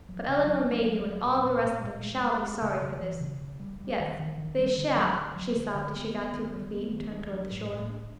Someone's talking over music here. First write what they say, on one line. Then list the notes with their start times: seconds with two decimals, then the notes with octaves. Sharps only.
"But Elinor Mayhew and all the rest of them shall be sorry for this. Yes, they shall," she sobbed as she got to her feet and turned toward the shore.
0.09 F#3
0.29 C#3
0.47 F#3
0.68 A3
0.86 F#3
1.06 F#3
1.26 A#2
1.45 A#2
1.64 A#2
1.84 A#2
2.03 G#3
2.23 G#3
2.44 G#3
2.62 C#3
2.81 C#3
3.01 E3
3.21 C#3
3.41 C#3
3.60 G3
3.80 G3
4.00 D#3
4.19 D#3
4.38 D#3
4.58 G3
4.78 D3
4.97 F#3
5.17 D3
5.36 F#3
5.56 D3
5.75 D3
5.95 B3
6.15 B3
6.34 D#3
6.54 G3
6.73 B3
6.93 D#3
7.12 D4
7.32 F#3
7.51 A2
7.71 A2
7.90 D4